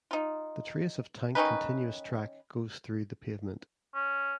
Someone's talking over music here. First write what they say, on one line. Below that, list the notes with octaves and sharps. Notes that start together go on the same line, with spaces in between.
The trace of tank continuous track goes through the pavement.
D#4 F4
D#3 C#4 D#4 B4
C#4